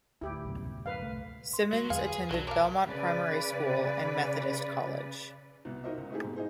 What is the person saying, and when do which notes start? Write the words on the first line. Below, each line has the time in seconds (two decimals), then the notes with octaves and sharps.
Simmons attended Belmont Primary School and Methodist College.
0.21 D2 A2 E4 G4
0.46 C2 F#2 B2
0.86 F#2 B4 F5
1.01 C2 A3
1.54 C6
1.73 F#3 G#3
1.90 E2 D3 F#3 G#4 B4 F5
2.31 B1 E3 F#3 D4
2.47 G4 A#4 C#5 F5 A5 D6
2.89 C#3 B4 D5
5.65 C2 B2 B3
5.83 D#4 F#4 A#4 C5 D#5 E5
5.97 C#2
6.10 A3 C4 D#4 E4 G4 G#4
6.23 G#2 B2
6.36 D#4 G#4 C5